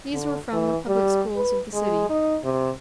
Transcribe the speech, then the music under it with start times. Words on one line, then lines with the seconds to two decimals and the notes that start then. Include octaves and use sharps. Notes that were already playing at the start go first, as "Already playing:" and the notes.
These were from the public schools of the city.
0.14 D3
0.53 E3
0.88 G3
1.36 B4
1.73 G#3
2.10 D#4
2.44 C3